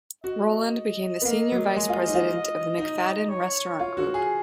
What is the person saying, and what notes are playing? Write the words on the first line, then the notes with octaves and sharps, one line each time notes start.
Roland became the senior vice president of the McFaddin restaurant group.
F#4 D#5
B3
A#3 D#5
F#3
G#3
F4
D#4
F4
D#4
C#5
F4
F#4
G#4